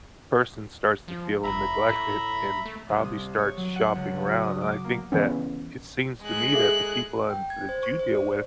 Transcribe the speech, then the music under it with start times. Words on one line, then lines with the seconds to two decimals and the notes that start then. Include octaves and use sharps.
person starts to feel neglected, and probably starts shopping around, and I think that it seems to me that the people and that you deal with
1.08 F3
1.44 F1 E5 A#5 B5
1.89 A2
2.66 A3
2.89 C2
3.04 D#6
3.38 C#5
3.57 F#3
3.76 F#5
3.95 C#2
4.26 F#4
4.44 D#6
4.61 D6
4.84 A#3
5.12 C#3 E3 B3 C#4
6.22 G#3 F#6
6.53 G#4 A4 E5
7.30 G5
7.50 G#6
7.69 C5
7.83 C#6
7.99 C5
8.15 D5